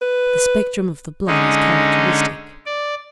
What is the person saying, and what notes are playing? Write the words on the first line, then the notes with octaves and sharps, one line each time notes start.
The spectrum of the blood is characteristic.
B4
D3 G#3 C#4 D#4
D5